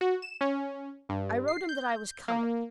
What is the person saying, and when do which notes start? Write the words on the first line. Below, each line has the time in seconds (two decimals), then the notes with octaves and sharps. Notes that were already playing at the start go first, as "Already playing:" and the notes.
I wrote him that I was coming.
0.01 F#4
0.22 E7
0.41 C#4
1.09 G2
1.48 C7
1.69 G6
2.28 A#3